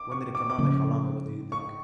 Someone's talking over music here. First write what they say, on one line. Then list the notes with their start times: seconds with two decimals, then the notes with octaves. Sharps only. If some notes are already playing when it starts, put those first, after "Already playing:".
when did it come out, like, how long ago do you think?
Already playing: D6
0.12 C#6
0.35 D6
0.50 D6
0.58 C#3 F3 A#3 C#4
1.52 C#6